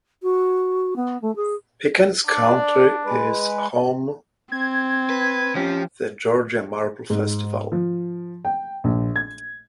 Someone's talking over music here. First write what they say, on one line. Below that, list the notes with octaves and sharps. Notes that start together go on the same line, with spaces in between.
Pickens County is home the Georgia Marble Festival.
F#4
B3
A3
G#4
D4 D5
G#3 B4
C4 G#6
B4
F3 C#4 G4
G#2
F3
G5
A#1
G#6